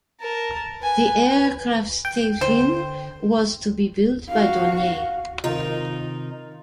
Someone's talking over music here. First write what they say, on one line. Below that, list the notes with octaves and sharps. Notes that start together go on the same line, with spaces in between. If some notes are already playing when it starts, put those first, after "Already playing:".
The aircraft's tailfin was to be built by Dornier.
A#4 A5
B4 G#5
B4
G5
D3 C5
F#4 F5
C3 D#3 D#4 F4 A#4